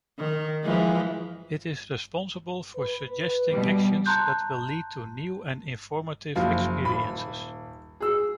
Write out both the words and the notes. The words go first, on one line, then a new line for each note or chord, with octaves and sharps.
It is responsible for suggesting actions that will lead to new and informative experiences.
D#3
E3 F3 G#3
B4
B2 G3
A5 A#5 C6 F#6 G6
F#1 F3 F5
D#1 B5
G#4 E6